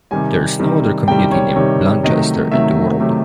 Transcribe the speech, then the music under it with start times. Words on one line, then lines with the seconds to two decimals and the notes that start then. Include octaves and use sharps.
There is no other community named "Blanchester" in the world.
0.11 C3 D#3 G3 G#5
0.59 C3 D#3 G3
1.08 C3 D#3 G3 G5
1.32 C#5
1.56 C3 D#3 G3 C#5
2.03 C3 D#3 F#3 A3 D#5
2.52 C3 D#3 F#3 A3 E5
3.00 C3 D#3 F#3 A3